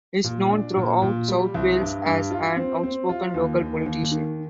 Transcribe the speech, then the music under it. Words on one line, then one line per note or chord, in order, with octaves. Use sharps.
He is known throughout South Wales as an outspoken local politician.
A#2
D4
A#2
A#2
G3
C2
G2
G2
F4
C4
C4
F4
D#2
D#2
D#2
D#3